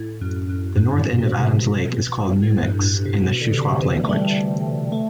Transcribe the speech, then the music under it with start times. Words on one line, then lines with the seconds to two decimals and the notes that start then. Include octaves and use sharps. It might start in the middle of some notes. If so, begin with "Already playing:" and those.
The north end of Adams Lake is called Mumix in the Shuswap language.
Already playing: A2
0.21 F#2
0.49 F#2
0.77 G2
0.97 A2
1.19 B2
1.39 C3
1.59 B2
2.42 A2
2.63 G2
2.80 G2
2.84 A2
3.06 C3
3.26 B2
3.41 D3
3.54 C3
3.82 E3
4.04 A3
4.09 G3
4.92 A3